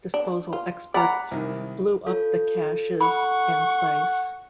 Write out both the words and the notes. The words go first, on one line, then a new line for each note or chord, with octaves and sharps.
Disposal experts blew up the caches in place.
D4
F4
D5 F#5 A#5 B5 D6
C2 D#3
F4 A4 C#5
F#5 B5 C#6